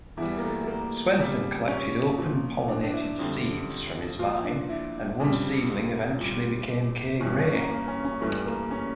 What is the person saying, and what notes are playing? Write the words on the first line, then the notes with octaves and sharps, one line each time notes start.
Swenson collected open-pollinated seeds from this vine, and one seedling eventually became Kay Gray.
E2 E3 G3 E4
A#3
A3
A3
A#3
F2 C#3 G3
C#4
A#2 F3
D4
D4
E4
F2 D3 G3
A#2 F3 F4
D4
E4
F2 C#3 G3 D4
A#2 G3
G2 E3 G3 C#4
C#4
A#3
A#3
C#4
C#4
G2 E3 G3 A3
A#3
C#4